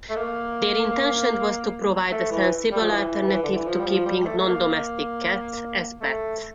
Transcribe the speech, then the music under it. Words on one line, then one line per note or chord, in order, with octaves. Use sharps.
Their intention was to provide a sensible alternative to keeping nondomestic cats as pets.
A3
A#3
A3
E3
G3
F3
E3
E3
D3
E3
F3
G3
F3
G3
G3
A3
A3
A#3
A3